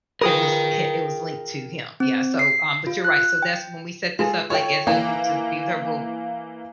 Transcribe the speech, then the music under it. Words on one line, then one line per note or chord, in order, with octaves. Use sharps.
it was hi it was linked to him. Yeah, so, um, but you're right. So that's when we set this up like as a group to be with her. Well,
F4 G#4 A#4 B4 G5
C4
C7
F4
F#6
G5
G#3 F4 G#4 A4
F4 A4 C#5 G5
E3 A#3